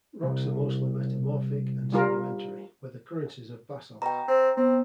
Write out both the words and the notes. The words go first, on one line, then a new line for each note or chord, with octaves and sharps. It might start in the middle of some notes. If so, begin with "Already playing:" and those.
Rocks are mostly metamorphic and sedimentary, with occurrences of basalt.
C2
G3 F4 A#4
B2 G5 A#5
C4
B3 C4